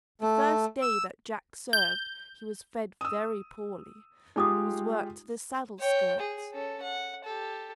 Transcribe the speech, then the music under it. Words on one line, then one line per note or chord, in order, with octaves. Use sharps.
The first day that Jack served he was fed very poorly, and was worked to the saddleskirts.
A3
E6
G6
D#6 E6
G#3 D#4 F4 G4 D6 D#6
C#5 G5
G#4
C#4 A4
F#5
G4 A4